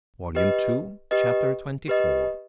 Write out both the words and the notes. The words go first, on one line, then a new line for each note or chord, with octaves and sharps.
Volume Two, Chapter XXIV.
G4 B4 D#5
G4 B4 D#5
G4 B4 D#5